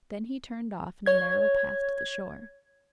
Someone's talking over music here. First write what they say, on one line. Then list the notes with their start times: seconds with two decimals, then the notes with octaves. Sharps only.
Then he turned off in a narrow path to the shore.
1.06 C#5 G#6